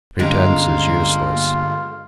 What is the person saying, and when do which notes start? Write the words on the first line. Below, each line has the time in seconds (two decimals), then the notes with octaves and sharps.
Pretence is useless.
0.19 G2 D3 G#3 A#3 C#4 F4 G4 A#5